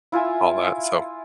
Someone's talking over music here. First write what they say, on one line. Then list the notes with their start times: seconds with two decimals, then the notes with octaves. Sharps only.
all that, so
0.12 E4 F4 E5 G#5